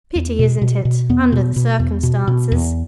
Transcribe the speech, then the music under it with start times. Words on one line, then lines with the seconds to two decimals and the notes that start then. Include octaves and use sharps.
"Pity, isn't it, under the circumstances?"
0.15 E2
0.39 B2
0.62 B2
0.85 B2
1.09 E2 B3
1.32 B2
1.56 B2
1.80 E2
2.03 B2
2.28 B2
2.52 E2